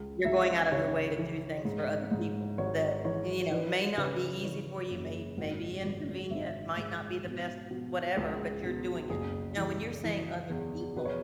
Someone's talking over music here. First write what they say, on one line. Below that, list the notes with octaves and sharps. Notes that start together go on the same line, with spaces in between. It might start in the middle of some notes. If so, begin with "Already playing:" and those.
You're going out of your way to do things for other people that, you know, may not be easy for you, may may be inconvenient, might not be the best whatever, but you're doing it. Now, when you're saying "other people,"
Already playing: C#2
C#2 E5
C#3 C#5
E3
G#2
G#2
G#1 C#5
E3 C#5
E3 B4
C#3 B4
E3 C#5
F#1
G#1
G#1
G#1 E5
G#2
B2
B2
C#2 G#4
B2
F#1 G#4
E3
E3
E2
B2 B4
C#5